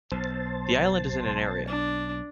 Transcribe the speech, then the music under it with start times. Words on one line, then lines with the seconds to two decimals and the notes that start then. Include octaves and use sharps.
The island is in area.
0.12 B1 C5 A5
1.67 D4